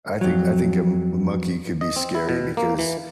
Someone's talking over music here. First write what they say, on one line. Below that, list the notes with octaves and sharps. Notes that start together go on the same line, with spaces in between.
I think I think a m monkey could be scary, because
F2 F#3
D#5
C4
E4
B2
A#3
E3